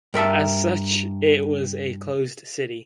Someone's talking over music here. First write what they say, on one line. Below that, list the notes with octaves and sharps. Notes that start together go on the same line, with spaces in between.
As such it was a closed city.
G2 A#4 E5 A5